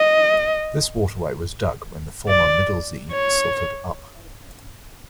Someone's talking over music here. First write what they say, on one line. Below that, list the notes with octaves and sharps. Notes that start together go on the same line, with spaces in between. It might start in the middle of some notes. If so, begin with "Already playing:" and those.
This waterway was dug when the former Middelzee silted up.
Already playing: D#5
D5
C#5